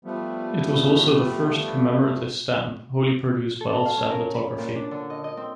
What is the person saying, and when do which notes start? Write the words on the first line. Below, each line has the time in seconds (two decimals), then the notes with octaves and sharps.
It was also the first commemorative stamp wholly produced by offset lithography.
0.05 F3 G3 A3 B3
3.61 A4
3.73 F#4
3.85 F5
3.97 C#4
4.10 A#4
4.34 B5
4.58 A#2
4.76 D4
4.91 D3
5.10 D#5
5.24 D#5
5.37 C4